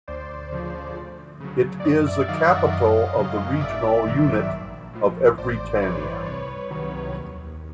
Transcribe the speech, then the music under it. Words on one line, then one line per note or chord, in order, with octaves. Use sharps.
It is the capital of the regional unit of Evrytania.
D2 C5 D5
C#3 F3
D2
C#3 F#3
D5
F#2 C#5 D#5
D5 E5
D#3 F#3 D#5 F5
E5 F#5
F#2 D#5 F5
C#3 F#3
G#1 D5 E5
G2 D#3 F#3
A#1
A2 F3
A1 C5 D5
G2 E3 B4 C#5
C2 B4 C#5
C3 D#3 F#3
D#2